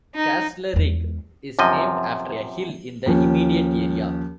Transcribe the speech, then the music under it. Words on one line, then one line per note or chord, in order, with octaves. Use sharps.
Castlerigg is named after a hill in the immediate area.
D#4
E2 G#3
F#2 C3 F3 D#5
D#2 F3 C#4